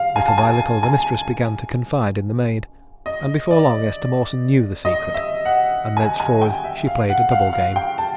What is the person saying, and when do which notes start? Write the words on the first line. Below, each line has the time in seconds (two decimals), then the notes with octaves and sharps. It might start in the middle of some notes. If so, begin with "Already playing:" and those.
Little by little the mistress began to confide in the maid, and before long Esther Mawson knew the secret--and thenceforward she played a double game.
Already playing: F5
0.16 G#5
0.28 A5
0.38 G#5
0.83 G#5
3.06 D#5
3.51 D5
4.85 D#5
5.14 E5
5.45 F#5
5.97 G#5
6.20 G#5
6.42 G5
6.64 E5
6.87 F5
7.09 F#5
7.31 F5
7.53 F5
7.76 G5
7.98 A5